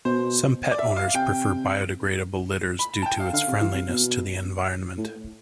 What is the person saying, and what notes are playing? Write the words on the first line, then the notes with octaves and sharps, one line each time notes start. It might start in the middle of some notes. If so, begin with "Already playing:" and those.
Some pet owners prefer biodegradable litters due to its friendliness to the environment.
B2 C5
D5
E5
F5
C3 G5
B5
A5
G5
F5
D3 F5
C3
E3
C3
B2
A2